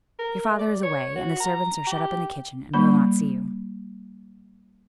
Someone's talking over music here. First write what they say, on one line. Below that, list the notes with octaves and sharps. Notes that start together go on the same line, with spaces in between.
Your father is away, and the servants are shut up in the kitchen and will not see you.
A#4
A3
D5
C#5
F#4
A#5
G4
G3 A#3 B5